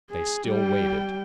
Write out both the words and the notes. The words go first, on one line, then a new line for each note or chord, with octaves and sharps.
They still waited.
G#4
G3 G5